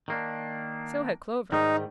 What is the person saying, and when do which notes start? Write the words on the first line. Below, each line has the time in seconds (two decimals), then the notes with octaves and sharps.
So had Clover.
0.08 D#3 A#3 D4
1.52 G#2 D#3 G3 D#4